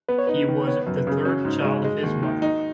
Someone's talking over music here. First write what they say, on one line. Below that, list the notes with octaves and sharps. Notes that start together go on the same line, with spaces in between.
He was the third child of his mother.
B3 B4
C#5
D#4 B4
D#3
B3 C#5
F#2
B4
C#3
G#4
C#4 F#4
G#2
G#3
G#3
D#2
D#3
D#4